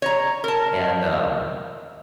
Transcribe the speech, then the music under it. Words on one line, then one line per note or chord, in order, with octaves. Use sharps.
and, um
C#5 A#5
A#4 A5